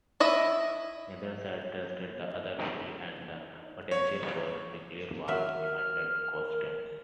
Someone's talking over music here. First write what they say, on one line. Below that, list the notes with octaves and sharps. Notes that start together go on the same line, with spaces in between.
Neither side trusted the other fully and the potential for nuclear war remained constant.
E4 D#5 E5
C#5
F#3 A#4 E5 F6